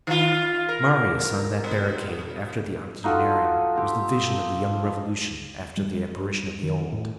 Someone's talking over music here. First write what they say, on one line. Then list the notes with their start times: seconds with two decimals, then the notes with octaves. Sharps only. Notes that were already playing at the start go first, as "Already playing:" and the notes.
Marius on that barricade after the octogenarian was the vision of the young revolution after the apparition of the old.
0.07 D#3 F4
0.69 A#4
1.64 B2
3.04 D#4 F4 F#4 A4
3.76 C4 G4
5.77 G3
5.94 G3
6.63 D#3
6.92 A2